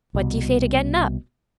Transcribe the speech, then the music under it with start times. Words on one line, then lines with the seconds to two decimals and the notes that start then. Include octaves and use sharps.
"What do you say to gettin' up?"
0.15 C2 B2